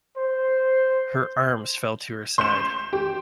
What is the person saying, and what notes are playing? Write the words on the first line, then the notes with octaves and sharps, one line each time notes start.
Her arms fell to her side.
C5
C6 G6 E7
G4